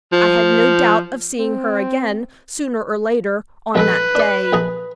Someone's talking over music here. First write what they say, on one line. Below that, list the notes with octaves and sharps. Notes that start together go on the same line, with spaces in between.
I had no doubt of seeing her again, sooner or later, on that day.
F3
C4
A#1 G#3 A4 B4
D4 D5
A#1 G#4 A#5